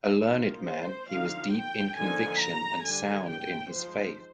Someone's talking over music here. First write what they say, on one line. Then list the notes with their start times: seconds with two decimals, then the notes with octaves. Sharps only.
A learned man, he was deep in conviction and sound in his faith.
0.23 D#3 A#3 D#4 F4
0.67 C5
1.10 D3 F3 C4 D#4 F5
1.54 G5
1.98 D3 F3 A#3 D#4 G#5
2.41 A#5
2.84 D3 G3 D4 G#5
3.29 G5
3.72 F3 G#3 D#4 C5